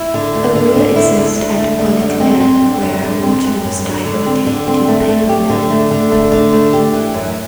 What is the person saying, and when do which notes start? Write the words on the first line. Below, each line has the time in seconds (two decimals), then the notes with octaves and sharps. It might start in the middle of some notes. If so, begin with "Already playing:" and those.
A weir exists at Ballyclare where water was diverted to the paper mill.
Already playing: E4
0.14 D3
0.35 D2
0.55 D3
0.76 D3
0.96 E4
1.17 D2
1.38 D2
1.58 A3
1.79 D3
1.99 F#2
2.20 C4
2.40 C4
2.62 D3
2.82 F#2
3.03 D3
3.23 C4
3.44 F#2
3.64 F#2
3.85 D3
4.05 D3
4.26 C4
4.46 D3
4.67 C4
4.88 A3
5.08 A3
5.29 G4
5.50 D3
5.70 A3
5.91 D3
6.12 A3
6.32 D3
6.53 A3
6.73 G4
6.94 E3
7.14 F#2